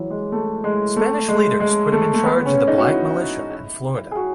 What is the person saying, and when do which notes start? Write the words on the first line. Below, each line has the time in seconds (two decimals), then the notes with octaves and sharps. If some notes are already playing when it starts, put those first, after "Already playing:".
Spanish leaders put him in charge of the black militia in Florida.
Already playing: E3 F#3
0.11 G#3
0.32 A3
0.64 G#3
0.96 A3
1.28 G#3
1.60 G#3
1.92 A3
2.14 A3
2.24 B3
2.36 B3
2.46 C#4
2.67 D#4
2.78 F#4
2.89 E4
4.11 G#4
4.16 F#4